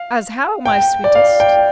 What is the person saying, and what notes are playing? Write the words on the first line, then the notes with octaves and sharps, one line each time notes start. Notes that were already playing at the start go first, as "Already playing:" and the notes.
"As how, my sweetest?"
Already playing: F5
G5
D5
F5
G5